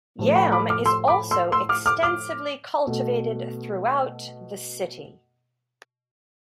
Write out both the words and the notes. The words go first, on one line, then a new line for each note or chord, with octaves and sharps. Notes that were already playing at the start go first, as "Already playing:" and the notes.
Yam is also extensively cultivated throughout the city.
A2 F3 A3
G5 B5
B5 D6
D6 F6
C6 E6
B5 D6
C6 E6
C6 E6
D6 F6
D6 F6
D6 F6
B2 A3